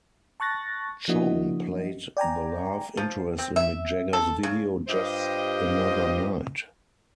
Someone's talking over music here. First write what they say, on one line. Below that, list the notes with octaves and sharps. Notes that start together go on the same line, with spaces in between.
Chong played the love interest in Mick Jagger's video "Just Another Night".
A5 C#6 F#6 A6 A#6
F3 A#3 D4 E4 F#4 D#5
D5 G5 G#5 A#5
F3
C4
E5
A4
C#3
G2 F4 G4 C5 D#5